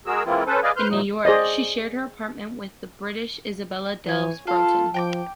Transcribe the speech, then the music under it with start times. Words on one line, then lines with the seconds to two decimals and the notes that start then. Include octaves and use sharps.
In New York, she shared her apartment with the British Isabella Delves Broughton.
0.06 G#3 F#4 G#4 A#4 E6
0.25 E3 G#3 A#3 C4 E4 F4
0.47 C#4 A4 B4 C5
0.63 G#4 B4 D5 D#5 F5 G#5
0.77 B4 C5 C6 F6 G6
0.89 A#2 E3 F#3 D#4
1.25 G#4 C5 D5 D#5
4.06 E3 C#5 G#5
4.47 F4 A4 F5
4.94 F3 G5 A#5 D6